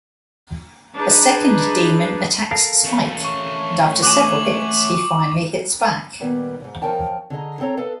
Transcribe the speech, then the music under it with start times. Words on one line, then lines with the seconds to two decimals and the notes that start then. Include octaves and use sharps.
A second demon attacks Spike, and after several hits, he finally hits back.
0.94 D4 D#4 G#4 B4
2.51 A4 A#4 F5
2.84 A3 C#4
3.25 C#6
4.03 F#4 G#5 D6 F#7
6.20 A#2 D#3 G3 B3
6.60 E2 G#2
6.82 F3 G#3 C#4 A#4 G5 A5
7.30 D3 G#4 D#5 A#5
7.60 C4 A4 C#5 A#5
7.77 A4 B4 D#5 F5